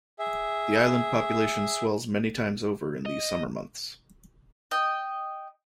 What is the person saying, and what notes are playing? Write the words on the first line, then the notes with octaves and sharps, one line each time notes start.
The island population swells many times over in the summer months.
G#4 E5
D#5
D#5 G5